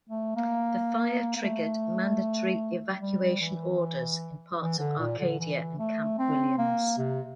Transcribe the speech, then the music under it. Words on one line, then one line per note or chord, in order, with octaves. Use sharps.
The fire triggered mandatory evacuation orders in parts of Arcadia and Camp Williams.
A3
A#3
A#3
A3
G3
E3
E3
D3
A#2
D3
E3
A3
C4
A#3
C3